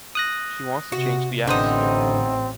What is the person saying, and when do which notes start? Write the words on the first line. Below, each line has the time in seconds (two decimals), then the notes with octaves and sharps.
She wants to change the atmosphere.
0.15 D#6 F#6 A#6
0.92 C3 F#4
1.47 A1 D3 B3 C4 D#4 C5 D#6